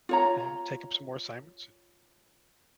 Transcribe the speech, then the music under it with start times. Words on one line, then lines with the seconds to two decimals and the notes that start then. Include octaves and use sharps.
and I'll take up some more assignments
0.09 F4 C#5 A#5